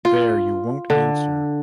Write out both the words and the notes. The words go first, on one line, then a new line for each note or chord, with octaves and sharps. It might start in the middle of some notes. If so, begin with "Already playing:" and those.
There, you won’t answer.
F4
D3